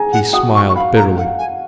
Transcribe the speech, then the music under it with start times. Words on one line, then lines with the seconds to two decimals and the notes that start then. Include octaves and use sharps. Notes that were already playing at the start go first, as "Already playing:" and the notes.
He smiled bitterly.
Already playing: G#4 G#5 A#5
0.12 F#5
0.33 F#4 F#5 D#6
0.54 C#6
0.68 C#6
0.75 F5 B5
0.96 A#5
1.16 F5 F#5
1.38 G#5